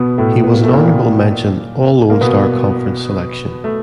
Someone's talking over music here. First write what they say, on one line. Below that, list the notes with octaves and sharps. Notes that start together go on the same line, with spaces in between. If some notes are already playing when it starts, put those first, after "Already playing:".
He was an Honorable Mention All Lone Star Conference Selection.
Already playing: B2 B3
A2 A3
B3
A#3
A3
A#2 A#3
A#3
B2 B3
A3